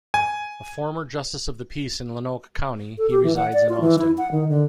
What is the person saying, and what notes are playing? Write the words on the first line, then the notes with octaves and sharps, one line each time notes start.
A former justice of the peace in Lonoke County, he resides in Austin.
G#5
A4
G4
E3
F#5
D5
F4
E3
E4
F#5
D#3
D3